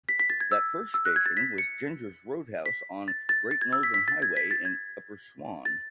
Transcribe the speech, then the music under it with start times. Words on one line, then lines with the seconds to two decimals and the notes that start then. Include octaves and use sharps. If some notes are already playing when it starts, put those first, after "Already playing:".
That first station was Gingers Roadhouse on Great Northern Highway in Upper Swan.
0.09 B6
0.19 B6
0.30 A6
0.40 G#6
0.52 E6
0.94 E6
1.05 F#6
1.16 G#6
1.26 A6
1.37 B6
1.58 C#7
2.66 B6
3.08 A6
3.29 A6
3.51 A6
3.61 G#6
3.73 E6
3.83 B6
3.94 B6
4.08 A6
4.22 G#6
4.37 B6
4.51 A6
4.65 G#6
5.65 A6